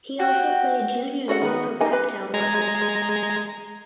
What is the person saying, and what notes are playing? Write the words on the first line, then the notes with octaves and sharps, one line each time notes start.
He also played junior league for Blacktown Workers.
F#4 G5
C#4 F#4 A4 C#5 F#5
D#3 B3
D#4 G4 D#5 G#5
B4
G#3 A#5 G#6